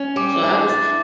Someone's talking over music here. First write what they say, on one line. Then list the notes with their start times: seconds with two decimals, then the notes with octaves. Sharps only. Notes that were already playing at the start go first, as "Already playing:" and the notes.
So I was
Already playing: C#4
0.16 G3 D6
0.43 D4
0.69 E2 A6